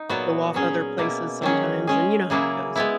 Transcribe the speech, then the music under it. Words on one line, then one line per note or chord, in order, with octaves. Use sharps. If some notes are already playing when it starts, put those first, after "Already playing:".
go off other places sometimes, and you know how it goes.
Already playing: D#4
A#2 F#3 B3 F#4
F#3 C#4 G#4
B2 A#3 E4
D#3 F#3 C#4 G#4
G#3 C#4 G#4
C#3 F#3 A#3 E4 G#4
G#3 B3 E4